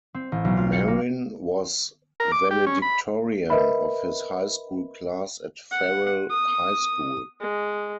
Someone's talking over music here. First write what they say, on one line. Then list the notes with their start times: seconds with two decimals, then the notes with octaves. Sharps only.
Marin was valedictorian of his high school class at Farrell High School.
0.14 C4
0.32 A1
0.45 B1
0.57 F4
0.73 C#7
0.88 A#3
2.20 A#4
2.32 D6
2.51 G4
2.66 C#4
2.82 B5
3.50 A#4 B4 D#5 E5 B5
5.72 F#5
6.30 D#6
7.41 G#3